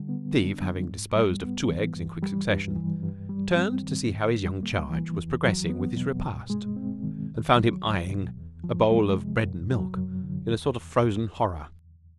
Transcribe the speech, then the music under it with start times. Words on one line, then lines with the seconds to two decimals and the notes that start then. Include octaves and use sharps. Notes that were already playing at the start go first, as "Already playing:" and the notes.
Steve, having disposed of two eggs in quick succession, turned to see how his young charge was progressing with his repast, and found him eyeing a bowl of bread-and-milk in a sort of frozen horror.
Already playing: D3 G3
0.09 B3
0.36 D4
0.62 F#3
0.89 G#2
1.16 G3
1.42 B3
1.69 E3
1.96 G2
2.23 G3
2.49 G2
2.76 E3
3.03 G2
3.29 G3
3.56 C4
3.83 D#3
4.09 A2
4.36 G3
4.63 A#3
4.90 E3
5.16 E2
5.43 F#3
5.70 B3
5.97 B2
6.23 G2
6.50 G#3
6.76 C4
7.03 D#3
7.30 C#2
7.57 F#3
7.83 C#2
8.10 B2
8.37 E2
8.64 F3
8.90 G#3
9.17 C3
9.44 F#2
9.70 F#3
9.97 F#2
10.24 D3
10.50 E2